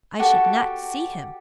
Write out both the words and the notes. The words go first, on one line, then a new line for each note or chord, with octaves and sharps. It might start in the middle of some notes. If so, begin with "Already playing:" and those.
"I should not see him."
F#4 G4 A4